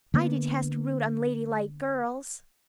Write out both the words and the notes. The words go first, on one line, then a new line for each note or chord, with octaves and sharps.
"I detest rude, unladylike girls!"
D3 A#3 B3